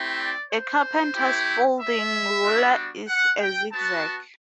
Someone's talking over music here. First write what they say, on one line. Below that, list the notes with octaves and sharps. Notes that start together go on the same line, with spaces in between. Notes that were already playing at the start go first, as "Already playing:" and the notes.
A carpenter's folding ruler is a zigzag.
Already playing: A3 C4 E4 G4
D5
C5
A3 E4 G4
E5
G3 B3 D4 F#4
F#5
G5
B3 F#4 A5